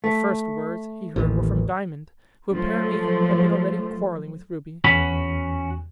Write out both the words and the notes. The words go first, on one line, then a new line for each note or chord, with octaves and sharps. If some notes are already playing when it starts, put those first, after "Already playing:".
The first words he heard were from Diamond, who apparently had been already quarrelling with Ruby.
A3
A1 D#2
F3 F#3 A3
E2 C#4 F#4 B5